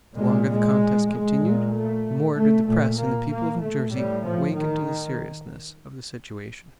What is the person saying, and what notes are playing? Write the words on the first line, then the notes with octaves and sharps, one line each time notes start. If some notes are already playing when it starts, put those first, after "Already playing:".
The longer the contest continued, the more did the press and the people of New Jersey awaken to the seriousness of the situation.
A#2 G#3
G#3
G#3
A#2
A3
A3
A#2 A3
A#3
A#3
A3
A2 G3
F3
D#3